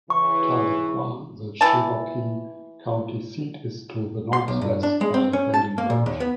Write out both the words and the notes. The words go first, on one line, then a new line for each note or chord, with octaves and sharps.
Tahlequah, the Cherokee County seat, is to the northwest by Welling Road.
C#3 E3 C#6
E3 A5
C6
B1
G2
D4
G#3
C4
C#4
A5
A#3
A#2
D#2
B3